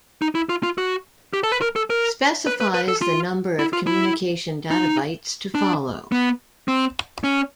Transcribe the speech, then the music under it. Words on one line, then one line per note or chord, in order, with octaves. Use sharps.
Specifies the number of communication data bytes to follow.
D#4
E4
F4
F4
F#4
G4
A4
B4
A#4
A4
A#4
B4
B4
B4
A4
F4
E4
F4
E4
D#4
D4
B3
C4
C#4